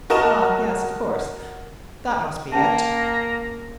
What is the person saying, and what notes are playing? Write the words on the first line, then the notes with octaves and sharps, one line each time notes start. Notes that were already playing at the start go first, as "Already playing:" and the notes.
Ah yes, of course, that must be it.
F#4 A#4 D#5 A5 E7
A#3 C#4 A5 A#5